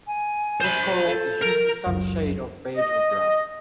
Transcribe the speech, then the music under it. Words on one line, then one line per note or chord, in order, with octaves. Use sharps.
This coral is usually some shade of beige or brown.
G#5
C5 B5
A4 G6
A#4
F#1 C#2 F#2
D#5